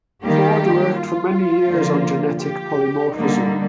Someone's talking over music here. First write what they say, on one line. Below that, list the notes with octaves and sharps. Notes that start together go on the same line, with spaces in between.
Ford worked for many years on genetic polymorphism.
D#3 G3 A#3 G4
F4
D3 F3 A#3
G4
D3 G3 A#3 D#4